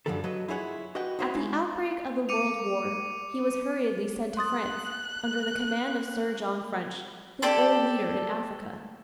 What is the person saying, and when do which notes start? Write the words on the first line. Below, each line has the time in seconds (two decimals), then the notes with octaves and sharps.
At the outbreak of the World War, he was hurriedly sent to France, under the command of Sir John French, his old leader in Africa.
0.06 F#2 D3 E3 F3 G3 A4
0.24 F#3 B4 D#5
0.48 E4 F4 G#4 C#5 E5 F#5
0.95 F#4 B4 D#5 F#5 G5
1.19 D#4 E4 F#4 C5 C#5
1.34 G#3 E4
2.29 D6 C#7 D#7 F7
4.37 C6 D#6 F#6 A6
7.42 G4 A4 D5 A5